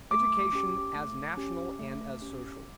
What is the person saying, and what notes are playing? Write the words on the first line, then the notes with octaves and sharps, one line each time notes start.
Education as National and as Social.
A3 D6
C#4 G4
A3
C#4 G4
A3
C#4 G4